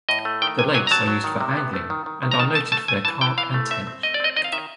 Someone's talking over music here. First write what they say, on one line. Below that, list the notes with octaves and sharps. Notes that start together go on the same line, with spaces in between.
The lakes are used for angling, and are noted for their carp and tench.
A2 D#5
A3
D#3 G5
C3 G#5
F#3 G#5
A#5
F#3 A5
F#3
D#3
C3
B3
A3
D#3
D#3
D#3
A#5
D#3 A5
A3 A5
A3 A5
A3 G#5
E3 A5
E3 G5
E3 F5
A3
C4 E5
C4
A3 D#5
D5
C4 D#5
D#3 D#5
F5
D#3 E5